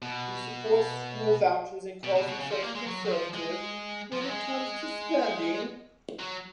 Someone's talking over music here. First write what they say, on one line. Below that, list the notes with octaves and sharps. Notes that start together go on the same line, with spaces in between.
He supports school vouchers and calls himself "conservative when it comes to spending".
B2
B2
B2
B2
C#3
F3
A#3
G#3
F#3
F#3
F3
G#3
F3
F#3
G#3
F#3